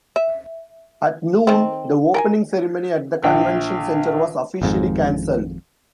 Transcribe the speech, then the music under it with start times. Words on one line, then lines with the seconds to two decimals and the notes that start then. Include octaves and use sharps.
At noon, the opening ceremony at the convention center was officially cancelled.
0.16 E5
1.47 D#3 C4
2.14 A#4 G5 G#5
3.24 A#1 G5
4.62 G#1 F2 G#2